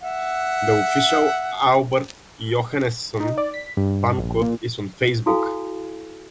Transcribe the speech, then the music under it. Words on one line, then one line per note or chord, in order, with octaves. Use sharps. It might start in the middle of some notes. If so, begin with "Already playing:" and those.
The official Albert Johanneson Fan Club is on Facebook.
E5 F#5
D#4
D5
B6
G2
A#1
A#2
E4 F#4 A4 F5 G#5